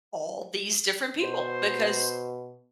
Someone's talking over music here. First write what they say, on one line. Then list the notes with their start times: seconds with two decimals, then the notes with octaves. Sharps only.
all these different people, because
1.22 B2 C5